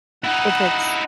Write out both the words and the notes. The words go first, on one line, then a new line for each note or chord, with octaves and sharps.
if it's
D#4 E4 F#5